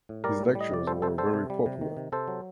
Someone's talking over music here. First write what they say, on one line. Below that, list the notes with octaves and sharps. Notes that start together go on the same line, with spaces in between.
His lectures were very popular.
A2
G3 A#4 D5
A2
G3
D#5
C3 D5
G3 A4 C5
C3 A4 C5
G3 A4 C5
C3
G3
C3
D#3
C3
C3 A4 C5
F#3